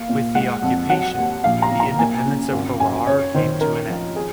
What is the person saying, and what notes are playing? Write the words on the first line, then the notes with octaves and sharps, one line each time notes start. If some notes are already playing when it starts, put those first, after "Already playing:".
With the occupation, the independence of Harar came to an end.
Already playing: A#3 F5
A#2
G#3 F#5
F2
F#3 F#5
D#2
A#1 F5
A#5
A#2
A#5
A#3 G#5
C#3
G#1
F#2 G#5
C#4 C#5
D#3 C5
C#4 A#4
F3
G#4